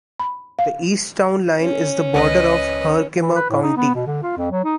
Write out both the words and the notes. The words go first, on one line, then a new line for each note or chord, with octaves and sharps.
The east town line is the border of Herkimer County.
B5
F5
C#4
C#2 B4 D#5
E3
B4
A2
D#4
B3
B2
D3
F4
F2
F#3
D#4